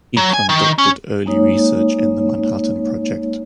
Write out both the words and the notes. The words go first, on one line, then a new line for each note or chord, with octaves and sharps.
He conducted early research in the Manhattan Project.
F#3
G#5
D#3
C#4
G#3 A#3 D#4 C#5